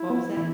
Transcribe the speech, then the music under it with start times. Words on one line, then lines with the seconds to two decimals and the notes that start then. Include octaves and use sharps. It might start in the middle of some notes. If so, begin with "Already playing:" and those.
What was that?
Already playing: E4
0.10 B3
0.37 E3